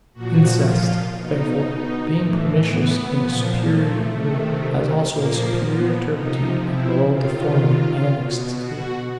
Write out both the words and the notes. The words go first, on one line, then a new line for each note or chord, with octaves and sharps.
Incest, therefore, being PERNICIOUS in a superior degree, has also a superior turpitude and moral deformity annexed to it.
A#2 F3 F#4
F4
B2 D#4
A2 E3
B3
A#2 F3
A3
C3 D#3
A#2 F3 A#3
B3
C3 F3 D#4
E4
C3 D#3 F4
B2
F#4